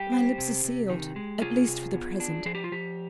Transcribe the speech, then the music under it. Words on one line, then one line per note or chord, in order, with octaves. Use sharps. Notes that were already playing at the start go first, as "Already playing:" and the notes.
But my lips are sealed--at least for the present.
Already playing: G3 G4
C4
C3
C3
D#3
G#3
C3 F4 G#4
C3
B3
D4
F3 G#4
G4
F4
F3 G4